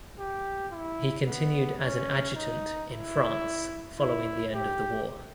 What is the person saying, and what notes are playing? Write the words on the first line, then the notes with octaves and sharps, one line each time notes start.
He continued as an adjutant in France following the end of the war.
G4
E4
B3
C#4
D#4
E4
E4
G4